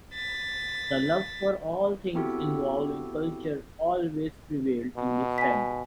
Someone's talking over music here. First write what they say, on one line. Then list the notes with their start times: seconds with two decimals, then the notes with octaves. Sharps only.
The love for all things involving culture always prevailed in his family.
0.14 A6 B6
2.15 B3 C4 E4 F#4 G4 A4
4.97 B2
5.38 G#5 B6